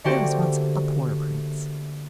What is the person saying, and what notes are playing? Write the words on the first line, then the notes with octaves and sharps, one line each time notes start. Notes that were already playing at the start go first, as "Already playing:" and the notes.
There was once a poor Prince.
D3 A3 A#3 F#4 G4 C5